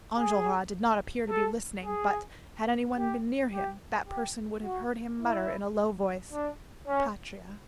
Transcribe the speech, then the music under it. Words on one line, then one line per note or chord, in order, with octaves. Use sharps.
Enjolras did not appear to be listening, but had any one been near him, that person would have heard him mutter in a low voice: "Patria."
G#4
A4
G#4
G4
G4
G4
F#4
E4
D4
C#4